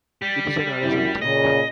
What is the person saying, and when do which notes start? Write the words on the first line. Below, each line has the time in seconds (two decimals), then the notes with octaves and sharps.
It is an arable plant.
0.22 G3 G4
0.82 F#2 E4
1.22 A#2 C#3 D#5